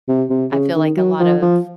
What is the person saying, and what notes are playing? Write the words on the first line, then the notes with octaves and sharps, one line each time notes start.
I feel like, a lot of
C3
C3
C#3
D#3
F#3
F3
F3